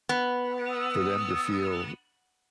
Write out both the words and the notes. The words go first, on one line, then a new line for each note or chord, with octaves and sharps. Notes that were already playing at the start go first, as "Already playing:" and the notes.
for them to feel,
B3
D#6 E6